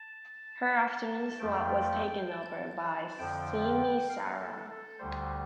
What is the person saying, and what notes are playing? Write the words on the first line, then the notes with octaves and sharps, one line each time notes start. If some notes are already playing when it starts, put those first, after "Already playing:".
Her afternoon slot was taken over by Simi Sara.
Already playing: A5
F2 F3 A3 G5
A5
F2 D3 F3 G5
F5
A4
A4
D2 D3 G3 C5